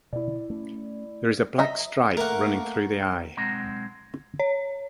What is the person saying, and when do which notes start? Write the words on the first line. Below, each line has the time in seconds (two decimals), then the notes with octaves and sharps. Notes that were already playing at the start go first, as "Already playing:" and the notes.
There is a black stripe running through the eye.
0.13 B2 E4 D5
0.50 A3 C#4
1.59 D#5 E5 A#5
2.17 A3 A#3 A#4 F#5
3.37 B1 G#3 C4 F#5 A#5
4.40 C#5